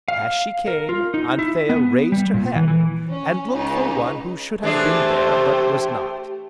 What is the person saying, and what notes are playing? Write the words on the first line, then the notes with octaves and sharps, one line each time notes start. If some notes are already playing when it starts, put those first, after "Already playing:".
As she came, Anthea raised her head, and looked for one who should have been there, but was not.
F5
A#4
F4
D#4
E4
B3
G3
A#2
E3
E3
C#4
C#2 D#4
E3 A3 D4 G4 G#4 C5